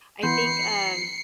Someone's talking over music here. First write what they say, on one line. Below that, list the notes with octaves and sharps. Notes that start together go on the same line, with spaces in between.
I think, um,
E3 B3 B5 C6 G6 C7 C#7